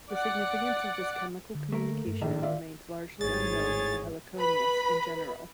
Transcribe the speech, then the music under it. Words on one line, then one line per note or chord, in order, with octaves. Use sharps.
The significance of this chemical communication remains largely unknown for "Heliconius" in general.
D5 F#5
D3
A3 A#3 A#4
G2
A#1 A2 D#3 D4
F4 D5 E5
G#1 A2 G#4 C#5 A6
B4 B5